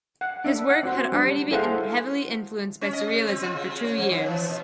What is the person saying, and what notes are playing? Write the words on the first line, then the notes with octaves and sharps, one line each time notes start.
His work had already been heavily influenced by surrealism for two years.
F#5
D4 E5
F#5
C4 F#4 C5
G3 D4
E4 G#4 A4 C5 F5 F#5
C#4
D#5
C#3
C4
F4
C#3
C#3
C#5
F3
D#3
E3
B2